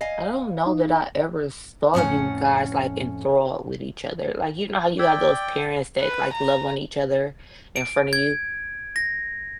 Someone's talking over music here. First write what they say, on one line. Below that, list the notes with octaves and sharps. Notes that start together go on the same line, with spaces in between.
"I don't know that I ever saw you guys, like, enthralled with each other." Like, you know how you have those parents that, like, love on each other in front of you.
D#5 F5 G#5
D#4
F2 A2 F#3 C#4 F#5
D5 G5 E6 G#6 B6
B4
A#5
D7
G#6
A#6